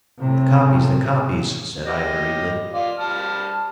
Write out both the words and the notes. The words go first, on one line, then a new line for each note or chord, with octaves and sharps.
"The copies, the copies," said I hurriedly.
A2 C3
G4 D#5
F4 D5
G3 A5 F6